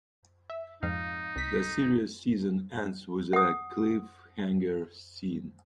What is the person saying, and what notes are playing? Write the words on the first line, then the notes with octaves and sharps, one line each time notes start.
The series season ends with a cliffhanger scene.
E5
F2 G#2 D#4 F5
C2 B6
F#5 D#6